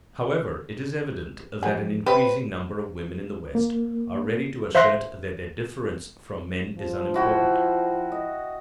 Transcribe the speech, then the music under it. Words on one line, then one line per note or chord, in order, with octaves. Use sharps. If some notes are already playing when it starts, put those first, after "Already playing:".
However, it is evident that an increasing number of women in the West are ready to assert that their difference from men is unimportant.
F3 B3 G4 G#4
G4 B4 C5 E5
A#3
C5 E5 F5 C6 F#6 A#6
F3
E4 F#4 G5
D#5